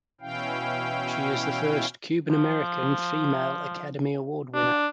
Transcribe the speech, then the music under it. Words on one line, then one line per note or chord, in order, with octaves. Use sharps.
She is the first Cuban-American female Academy Award winner.
B2 E3 C#4 E4 F5 G5
F3
D4